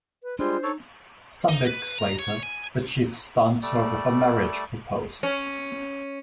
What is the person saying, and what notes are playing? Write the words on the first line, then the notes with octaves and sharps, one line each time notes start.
Some weeks later, the Chief stuns her with a marriage proposal.
B4
G3 G#3 D4 F4 C5
D#4 A4 C#5
D#4
B4
A#5
C#5
G#5
G3 A3 D5
C#4